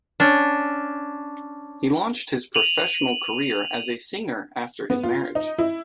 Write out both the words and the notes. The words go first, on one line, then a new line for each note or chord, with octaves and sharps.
He launched his professional career as a singer after his marriage.
C#4 D4
D#7 F7 F#7
B3
F4
D#4
E4